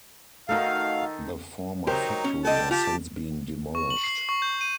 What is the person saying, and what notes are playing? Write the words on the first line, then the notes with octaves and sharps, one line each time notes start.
The former factory has since been demolished.
D#3 A3 D#4 F#4 A4 F5
F#3 D#4 G4 A#4 C5
C#4
D3 A4 D#5 G5 A5
F4 G4 G5 A5
C#6
F#7
C7
C#6
G6
D#7